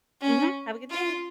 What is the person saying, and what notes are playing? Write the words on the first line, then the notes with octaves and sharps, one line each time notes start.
Mhm. Have a good day.
C#4
F4